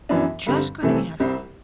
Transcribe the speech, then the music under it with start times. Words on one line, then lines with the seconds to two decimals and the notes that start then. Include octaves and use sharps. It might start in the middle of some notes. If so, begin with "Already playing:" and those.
Just gonna ask.
0.09 F#2 E3 B3 D4
0.47 G2 D3 G3 C4
0.83 C2 C3 E3 A3 C4
1.20 C2 C3 G3 C4